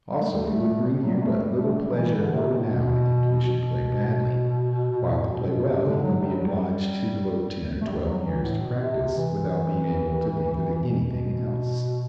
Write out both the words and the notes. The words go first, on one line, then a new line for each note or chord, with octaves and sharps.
Also, it would bring you but little pleasure or renown if you should play badly; while to play well you would be obliged to devote ten or twelve years to practice, without being able to think of anything else.
G3
A3
G3
A3
G3
F#3
G3
A3
G3
A3
G3
F#3
E3
D3
C3
B2
A2
B2
B2
B2
A2
B2
B2
C3
D3
F#3
G3
F#3
G3
A3
G3
F#3
F#3
E3
A2
B2
C3
C3
E3
B2